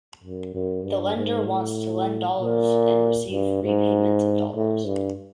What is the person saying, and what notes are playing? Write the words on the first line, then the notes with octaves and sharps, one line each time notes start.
The lender wants to lend dollars and receive repayments in dollars.
F#2
F#2
G2
G#2
A2
A#2
G2
G#2
A2
G2